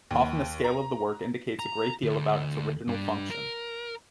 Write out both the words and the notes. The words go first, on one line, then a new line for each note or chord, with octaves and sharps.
Often the scale of the work indicates a great deal about its original function.
D#2
A#5
A#5
D2
G2 D4
A#4